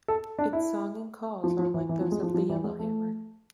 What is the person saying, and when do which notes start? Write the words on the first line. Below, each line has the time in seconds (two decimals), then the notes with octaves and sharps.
Its song and calls are like those of the yellowhammer.
0.08 A4
0.39 D4
0.53 E4
1.44 F3
1.59 F3
1.74 E3
1.89 E3
2.01 F3
2.12 G#3
2.23 F3
2.34 F3
2.49 E3
2.64 G#3
2.79 A3